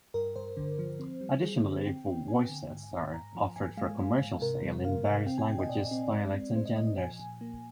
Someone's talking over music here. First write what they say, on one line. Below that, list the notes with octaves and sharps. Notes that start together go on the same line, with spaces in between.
Additionally, voice sets are offered for commercial sale in various languages, dialects, and genders.
G2 A#4
G2 C5
D3
F3
C4
G3
G3 G#4
D3
C4 G5
C4
C4 G#5
D3
G#2
G#2
G#2 A#5
F3
G#2 G#5
G#3 F5
G#3
G#2
C3 A#4
G3
C3 F5
C3 F5
C4 G5
G#5
C4 G5
D#5
A#2 D5
C4
G#3
C4
G#3 C5
D#5
A#2 D#5
D#5
F3 G#5
A#2
A#3